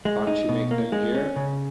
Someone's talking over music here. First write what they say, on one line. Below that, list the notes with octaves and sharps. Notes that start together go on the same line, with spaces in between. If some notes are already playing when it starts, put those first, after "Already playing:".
Can't you make them hear?
G#3
D#4
B2
A#3
G#3
C#4
C#3